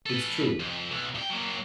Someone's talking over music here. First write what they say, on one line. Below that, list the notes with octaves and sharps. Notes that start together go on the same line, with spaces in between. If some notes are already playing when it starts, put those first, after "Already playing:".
"It's true."
A4 B4
F2
B1
C2 G5
F#3 A#3